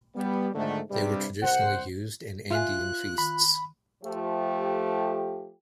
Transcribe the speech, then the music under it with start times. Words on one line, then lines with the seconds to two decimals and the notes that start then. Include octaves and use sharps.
They were traditionally used in Andean feasts.
0.15 G3 B3
0.55 G#2 D3 D#3 F3 A3
0.90 G2 C3 G3
1.42 C2 C5 F#5
2.51 F4 E5 G#5 F#6
3.18 D#3 B5
4.03 F3 A3 G4